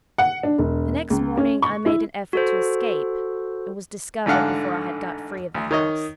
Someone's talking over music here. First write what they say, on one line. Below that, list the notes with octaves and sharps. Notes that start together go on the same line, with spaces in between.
The next morning I made an effort to escape, and was discovered before I had got free of the house.
F#5
D4
E1
C#2
C#4
C#6
E4
F#4 A4 C5
A1 G#2 D3 F5 F#5
D2
D#3 C#5 D#5